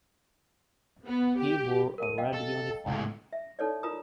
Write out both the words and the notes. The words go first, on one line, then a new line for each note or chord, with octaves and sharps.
He wore a red uniform.
B3
G4
A#4 D#7
D#5 F5 G5
A4
C#2 A2
E5
D#4 A4 C#5 D5
F4 A#4 A#5 D#6